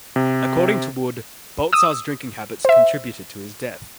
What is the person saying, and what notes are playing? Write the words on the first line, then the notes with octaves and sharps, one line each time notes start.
According to Wood, Baltzar's drinking habits contributed to his death.
C3
D#6 E6
C5 E5